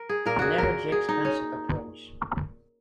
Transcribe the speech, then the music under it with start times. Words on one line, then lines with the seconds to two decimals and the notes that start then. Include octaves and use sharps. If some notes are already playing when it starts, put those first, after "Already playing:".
An energy-expensive approach.
Already playing: A#4
0.09 G#4
0.26 A#2 A#3 A#4
0.39 F#4 G#4
0.58 A#4
0.92 G#4
1.09 D#4
1.25 C#4